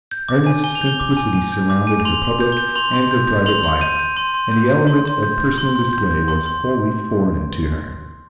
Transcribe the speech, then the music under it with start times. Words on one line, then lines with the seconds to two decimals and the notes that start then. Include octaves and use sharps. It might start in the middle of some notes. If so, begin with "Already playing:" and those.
Earnest simplicity surrounded her public and her private life, and the element of personal display was wholly foreign to her.
0.11 G6
0.28 D6
0.47 G#5
0.64 G#5 G7
0.75 F7
0.81 G6 G7
1.00 D6
1.17 G#5
1.34 G#5
1.52 G6
1.70 D6
1.87 G#5
2.05 C6 F7
2.23 C6
2.40 G6
2.52 G7
2.58 G6
2.75 C6 F7
2.93 C6
3.11 G6
3.28 G6
3.46 C6 F7
3.63 C6
3.81 G6 D#7
3.99 G6
4.17 C6
4.34 C6
4.52 G6
4.70 G6
4.87 C6
5.05 C6
5.23 G6
5.40 G6
5.58 C6
5.76 C6
5.93 G6
6.11 G6
6.28 C6
6.46 C6